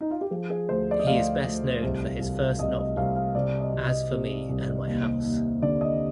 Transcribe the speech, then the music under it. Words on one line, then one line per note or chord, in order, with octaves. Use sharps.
He is best known for his first novel, "As For Me and My House".
D#4
F4
G4
F3 G#4
G#4
D2 C5
D5
D#5
D2 F5
D2
C2
C2
C2 D#5
D#5
C2 F5
F5
C3 D5
D#5
C2
D#5
C3
C2
D#2
D#2
D3 D5
D#5